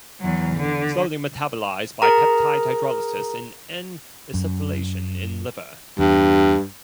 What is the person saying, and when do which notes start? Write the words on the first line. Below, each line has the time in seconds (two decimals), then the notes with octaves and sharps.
Slowly metabolized by peptide hydrolysis and "N"-acetylation in liver.
0.21 E2 F#3
0.57 D3
2.02 G#4 A#4 A#5
4.34 F#2
5.99 E2 G2